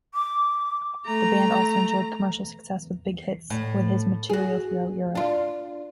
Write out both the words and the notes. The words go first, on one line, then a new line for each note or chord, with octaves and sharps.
The band also enjoyed commercial success with big hits with this material throughout Europe.
D6
A3 A#5
A2
F#4 G#4
D4 F4